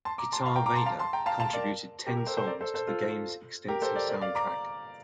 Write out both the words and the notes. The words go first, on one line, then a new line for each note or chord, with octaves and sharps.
Guitar Vader contributed ten songs to the game's extensive soundtrack.
A5 C6
A#5 D6
A5 C6
F5 A5
G5 A#5
A#5 D6
A5 C6
F5 A5
A5 C6
G5 A#5
F5 A5
F5 A5
A#4 D5
G4 A#4
G4 A#4
A4 C5
A4 C5
A#4 D5
A4 C5
A4 C5
F4 A4
G4 A#4
A4 C5
A#4 D5
A#4 D5
D5 F5
A#5 D6